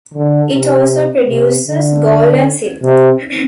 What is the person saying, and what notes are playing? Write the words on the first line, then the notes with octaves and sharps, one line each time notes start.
It also produces gold and silver.
D3
C3
C3
D3
C3